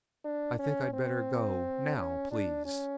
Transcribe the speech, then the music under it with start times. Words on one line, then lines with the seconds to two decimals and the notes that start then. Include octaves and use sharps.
"I think I'd better go, now, please."
0.25 D4
0.59 C#4
0.93 C4
1.97 C#4
2.31 D4
2.65 C#4